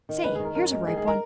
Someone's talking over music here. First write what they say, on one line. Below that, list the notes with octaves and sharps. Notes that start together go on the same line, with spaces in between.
Say--here's a ripe one.
D#3
G#3 B4
D#3 G#4
A#4
F#2 A#4
G#3
D#3 G#4
G#4
A#4